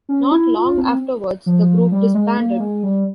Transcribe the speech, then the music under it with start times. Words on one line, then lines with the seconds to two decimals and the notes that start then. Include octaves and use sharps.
Not long afterwards the group disbanded.
0.09 C#4
0.31 E4
0.54 F4
0.78 C4
1.46 F3
1.92 G3
2.14 G#3
2.38 A#3
2.60 G#3
2.83 G3